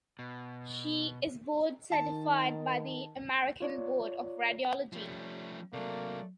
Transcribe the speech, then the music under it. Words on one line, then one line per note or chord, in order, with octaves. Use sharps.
She is board certified by the American Board of Radiology.
B2
D#3 A5
F4 C#5 D5
F3 G3 A3 C#4
C3 F#3 A3 A#3 D5